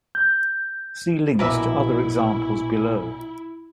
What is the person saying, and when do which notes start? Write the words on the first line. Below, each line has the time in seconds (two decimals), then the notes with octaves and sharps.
See links to other examples below.
0.15 G6
1.39 A#1 B2 E4 A#4 B4 E5 D6